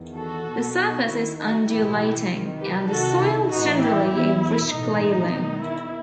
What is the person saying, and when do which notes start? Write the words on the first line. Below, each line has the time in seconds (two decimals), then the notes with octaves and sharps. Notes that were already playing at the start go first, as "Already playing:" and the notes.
The surface is undulating, and the soil generally a rich clay loam.
Already playing: E2 D#3
0.17 F#4 A4
0.47 B1 B2
0.77 D#4 F#4
1.07 D#2 D#3 E4
1.39 D#4 F#4
1.68 B1 A2 E3 E4 G4
2.29 C2 C3 D#3
2.59 G4 B4
2.89 C2 C3 D#3 F#4 A4
3.20 E4
3.49 A1 A2 E3 D#4 F#4
3.79 E4 G4
4.10 E2 B2 E4
4.40 E4
4.70 B1 A2 E3 D#4
5.31 E2 D#3
5.61 E4